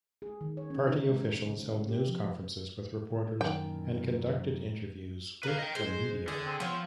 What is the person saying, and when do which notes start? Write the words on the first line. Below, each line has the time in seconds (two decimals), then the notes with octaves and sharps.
Party officials held news conferences with reporters and conducted interviews with the media.
0.22 G#4
0.41 D#3
0.57 C#5
0.70 C#4
0.88 D#4
1.09 G#3
1.49 C#3
1.89 G4
2.08 F3
3.41 F#2 A#2 D#3 E3 G5
5.43 A#4 B4 F5
5.59 D#5 G5
5.75 G#3 C5
6.28 D3 G#4
6.46 C4
6.60 F3 B3 C#5